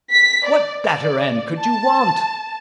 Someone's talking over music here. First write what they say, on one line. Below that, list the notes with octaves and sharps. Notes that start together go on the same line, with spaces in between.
What better end could you want?
B6
D5
D5
A5